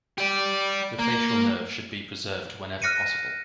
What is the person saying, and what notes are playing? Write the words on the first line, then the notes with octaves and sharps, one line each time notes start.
The facial nerve should be preserved whenever possible.
G4 D5
A#3
F6 F#6 A#6 C#7 D#7